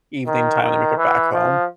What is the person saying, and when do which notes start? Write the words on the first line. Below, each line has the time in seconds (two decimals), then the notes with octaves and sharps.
evening time to make it back home,
0.26 D#3
0.62 D#3
0.97 E3
1.33 F3